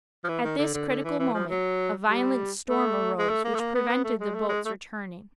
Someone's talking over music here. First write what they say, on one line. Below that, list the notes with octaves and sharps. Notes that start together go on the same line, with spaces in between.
At this critical moment a violent storm arose which prevented the boats returning.
F3
E3
D#3
D3
D3
D3
E3
E3
F3
F#3
G3
A3
G#3
A3
A#3
A3
A#3
B3
B3
A3
G#3
A3
G#3
A3